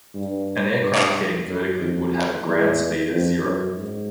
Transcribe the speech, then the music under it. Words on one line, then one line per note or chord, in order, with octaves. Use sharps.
An aircraft heading vertically would have a ground speed of zero.
G2
G2
F#2
F2
E2
F2
F#2
G#2